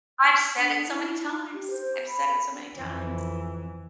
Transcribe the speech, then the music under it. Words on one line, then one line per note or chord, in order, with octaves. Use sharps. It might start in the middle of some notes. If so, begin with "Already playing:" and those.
I've said it so many times. I've said it so many times.
D4
E4
D#4
G4
C5
B5
F2 E3